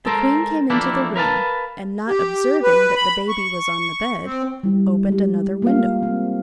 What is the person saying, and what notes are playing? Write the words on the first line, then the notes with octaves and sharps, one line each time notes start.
The queen came into the room, and not observing that the baby was on the bed, opened another window.
G#3 A4 A#4 C5
F2 E3 A3 A#3 D4 E4
A#4 B4 F5 A5
G4
B4
B5
C#6
C4
G3 E4
G#3 G4
A#3 F4 F5
C4